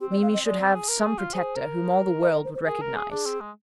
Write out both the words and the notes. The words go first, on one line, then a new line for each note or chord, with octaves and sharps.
Mimi should have some protector whom all the world would recognise.
C4 G4
D5
F5
D#5
G#3 D5
C4
G#4
A#4
G#4
F4
G#4 C5
A#4
D#5
D#5
C5
C5
G#4 A#4
A#4
G#4
D4 G#4
C4
G#3